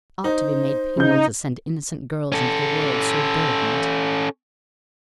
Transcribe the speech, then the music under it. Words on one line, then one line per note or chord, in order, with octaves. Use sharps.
It ought to be made penal to send innocent girls into the world so burdened.'
D#4 C5
C#3 D#4 G6
C#4 A4